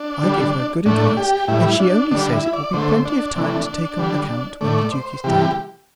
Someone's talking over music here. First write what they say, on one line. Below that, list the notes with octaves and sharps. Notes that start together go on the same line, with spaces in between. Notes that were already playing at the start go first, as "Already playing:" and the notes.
I give her good advice, and she only says it will be plenty of time to take on the count when the duke is dead.
Already playing: D4
D3 G3
A2 A3 D4
G4
A2 G3 E4
D4
D3 G3 D4
E4
D5
D3 A3 C5
D4
C3 E3 A3
D3 G3
A2 A3 D5
C5
C3 E3 G3 G4